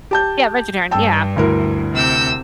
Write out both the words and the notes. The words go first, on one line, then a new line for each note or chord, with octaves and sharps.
Yeah, vegetarian, yeah.
G4 A5 G6
G2 G5 A5 E6
D2 E4 A#4
C3 E6 G6